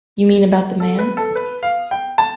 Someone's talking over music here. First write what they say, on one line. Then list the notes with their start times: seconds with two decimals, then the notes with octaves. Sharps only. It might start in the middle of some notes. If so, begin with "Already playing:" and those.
You mean about the man?
0.80 A4
0.99 B4
1.17 A4
1.35 B4
1.63 F5
1.91 G5
2.18 A5